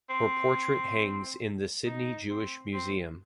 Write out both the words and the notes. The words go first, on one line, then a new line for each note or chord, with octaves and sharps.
Her portrait hangs in the Sydney Jewish Museum.
C4
D#4
C4
C4